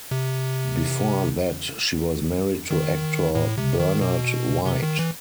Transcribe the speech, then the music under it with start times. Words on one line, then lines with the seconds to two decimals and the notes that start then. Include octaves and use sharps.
Before that, she was married to actor Bernard White.
0.11 C3
2.71 D#3
3.35 A2
3.58 C3
3.80 D#3
4.01 B2
4.66 C3
4.83 D#3
4.99 E3